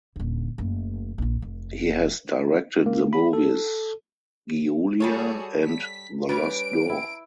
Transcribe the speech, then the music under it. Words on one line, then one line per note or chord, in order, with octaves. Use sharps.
He has directed the movies "Giulia" and "The Lost Door".
D#1 D3
F#1 A3
A#1 E4
F1
A#3
B5
A4
G3 F#4 G#4 A4 C#5
B6
G3 C#4 B4 D7
E4